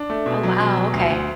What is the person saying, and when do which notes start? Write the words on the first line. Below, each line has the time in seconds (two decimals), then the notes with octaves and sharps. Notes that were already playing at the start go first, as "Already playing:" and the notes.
Oh, wow. Okay.
Already playing: D4
0.10 A3
0.26 B2
0.43 F#3
0.60 B2
0.77 F#3
0.93 D2
1.10 D2